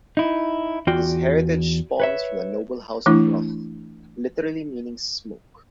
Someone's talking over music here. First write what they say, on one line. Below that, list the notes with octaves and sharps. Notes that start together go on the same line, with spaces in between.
His heritage spawns from the noble house of "Rauch" literally meaning 'Smoke'.
D#4 E4
E2 F4 F#4 D5 G5
B4 C#5 E5
E3 A3 D4 E4